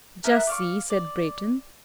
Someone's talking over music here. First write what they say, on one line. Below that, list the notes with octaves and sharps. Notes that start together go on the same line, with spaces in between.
"Just see," said Breton.
B3 E4 A#4
D5 F5 C#6
D5